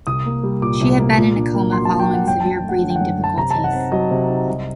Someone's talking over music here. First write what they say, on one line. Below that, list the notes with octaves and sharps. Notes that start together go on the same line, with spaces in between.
She had been in a coma following severe breathing difficulties.
C2 D#6
A#3
G3
A#2 D6
C2
A#3
A#2
D4
A#3
F#3 C6
A#2 A5
G5
D4
F#5
F#2 G5
A5
F#2
G5
A3 F#5
D3
G5
F#5
F#2
F#2 A5
C3 A#5
A5
D#4
F#5
C4
F#3 D#5
C3
D#4
C2